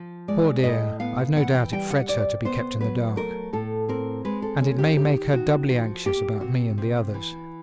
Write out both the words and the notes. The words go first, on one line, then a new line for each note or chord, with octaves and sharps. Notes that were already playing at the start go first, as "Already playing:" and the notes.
Poor dear, I've no doubt it frets her to be kept in the dark, and it may make her doubly anxious about me and the others.
Already playing: F3
G#3 D5
A2 D#5
B3 F5
E3 F#5
G5
G3 G5
F#5
C3 D5
B3 C5
F#3 B4
A3 A#4
A2 A4
C4 A#4
G#3 B4
A4
C#4
G4
D#3 G4
D#3 F#4
F3 F#4
A#3 G4
C3 F#4
C3
E3